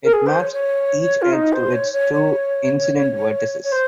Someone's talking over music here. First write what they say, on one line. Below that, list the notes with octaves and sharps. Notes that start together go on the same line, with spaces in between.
It maps each edge to its two incident vertices.
A#4
G#4
C5
C#5
C#5
F4
D#4
C5
C#5
C#5
C#5
C#5
C5